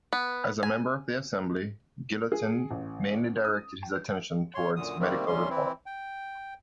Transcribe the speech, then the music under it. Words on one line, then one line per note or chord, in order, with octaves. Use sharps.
As a member of the assembly, Guillotin mainly directed his attention towards medical reform.
B3
G#5
G#4
A1
D#6
C#3 C#5 C6
F#2 A#2 D3 D#6
C3 D#3 G3 A3 A#3 C4
D#2 C3 G3 C#4 C6
E3 C4 E4
G5